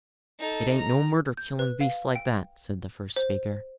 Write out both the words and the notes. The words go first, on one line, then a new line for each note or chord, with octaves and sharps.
"It ain't no murder killing beasts like that," said the first speaker.
D#4 A4
A#5
G6
B4
F5
G5
C5